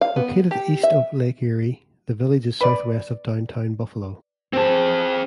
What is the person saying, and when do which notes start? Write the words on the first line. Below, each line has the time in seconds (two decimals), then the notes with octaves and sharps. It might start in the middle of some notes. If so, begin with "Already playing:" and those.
Located east of Lake Erie, the village is southwest of downtown Buffalo.
0.01 F5
0.16 B3
0.51 G4
0.83 E5
2.61 B4 D5
4.53 C4 G#4 C5 A5